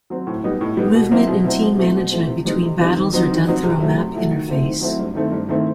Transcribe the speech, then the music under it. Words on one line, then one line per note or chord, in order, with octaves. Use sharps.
Movement and team management between battles are done through a map interface.
F#3 C4
A2
G3 B3 D#4
A2
G3 B3 D#4
B2
F#3 C4 E4
B2
F#3 C4 E4
B2
A3 C4 E4
B2
A3 C4 E4
C3
E3 G3 C4 D#4
C3
E3 G3 C4 D#4
D#3
F#3 C4 D#4
D#3
F#3 C4 D#4
C3
F#3 A3 E4
C3
F#3 A3 E4
D#3
F#3 A3 C4 E4
D#3
F#3 A3 C4 E4
G2
D#3 A3 C4 E4
G2
D#3 A3 C4 E4